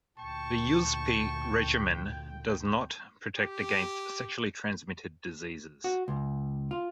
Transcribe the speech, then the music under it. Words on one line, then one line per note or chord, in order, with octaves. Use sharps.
The Yuzpe Regimen does not protect against sexually transmitted diseases.
D2 A#2 G5 A5 C#6
G4
F#4
C#2
F4